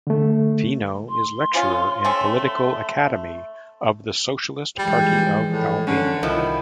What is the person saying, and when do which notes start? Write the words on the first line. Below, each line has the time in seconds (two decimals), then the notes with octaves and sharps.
Fino is lecturer in Political Academy of the Socialist Party of Albania.
0.07 D3 A3
1.09 C6
1.54 F3 C#4 F4
2.05 A3 C4 C#4
4.79 E3 F3 G3 G#3
5.52 A2
5.87 D3 C#4
6.23 C2 C3 D#3 F3 E4